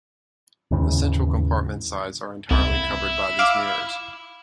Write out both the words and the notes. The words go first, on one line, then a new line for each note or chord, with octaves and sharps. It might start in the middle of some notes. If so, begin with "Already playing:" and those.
The central compartment sides are entirely covered by these mirrors.
D#2 G#2 C#3 E3
C2 E4
F5 D6 E6